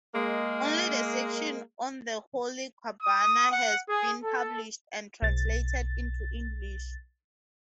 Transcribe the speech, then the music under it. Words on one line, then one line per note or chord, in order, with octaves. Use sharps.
Only the section on the Holy Qurbana has been published and translated into English.
G#3 A#3
D#6
F#5
G#4
A4
B1 A6